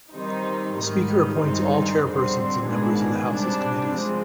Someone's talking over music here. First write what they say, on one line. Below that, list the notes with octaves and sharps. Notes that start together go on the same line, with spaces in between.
The Speaker appoints all chairpersons and members of the House's committees.
D#3 G3 C4 D#4
G#2 D#3 G3
G2 D#3 G#3 C4 D#4
F2 D3 G3 C4
G#2 D#3 B3 D4 G#4
C3 G3 D4
F3 G#3 C4